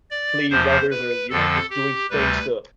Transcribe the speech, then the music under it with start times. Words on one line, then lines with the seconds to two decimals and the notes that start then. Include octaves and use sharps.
please others, or, you know, just doing s things to
0.10 D5
0.50 E2 C3 F3 C5
0.90 B4
1.30 F2 D3 F3 A4
1.70 G4
2.10 D2 C3 G3 B4